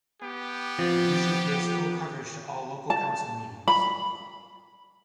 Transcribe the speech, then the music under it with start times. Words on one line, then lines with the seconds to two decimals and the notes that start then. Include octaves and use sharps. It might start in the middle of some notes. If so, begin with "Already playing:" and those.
It usually gives full coverage to all local council meetings.
0.20 B3 G4
0.79 F3 C4 F4
2.90 A5
3.68 B5